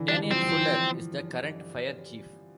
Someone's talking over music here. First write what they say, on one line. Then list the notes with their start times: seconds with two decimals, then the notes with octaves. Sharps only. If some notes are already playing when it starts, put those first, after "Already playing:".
Daniel Fuller is the current fire chief.
Already playing: D3 E3
0.09 G3 D4
0.22 E3
0.31 F3 C4
0.48 F3
0.52 E3